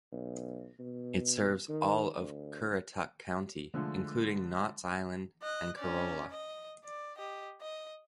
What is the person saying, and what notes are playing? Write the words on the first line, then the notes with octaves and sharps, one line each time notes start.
It serves all of Currituck County including Knotts Island and Corolla.
B1
B2
D#3
D2
D3 F3 G#3 A3
D#5 F#6
C#4 D5
D#5
D5
G4 D#5
D#5